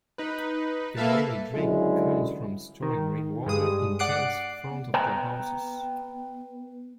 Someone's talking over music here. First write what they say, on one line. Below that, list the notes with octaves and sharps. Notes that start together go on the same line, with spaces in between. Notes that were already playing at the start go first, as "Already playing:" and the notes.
Their only drink comes from storing rain water in tanks front of their houses.
D#4 B4
A#3 A4 B4 E5 F5 A5
C#2 F#2 D3 F#3 G#3 E4
D#3
G2 G#3 D#6
D5 F#5 D6 F#6 C7 D7
B3
B4 G5 A#5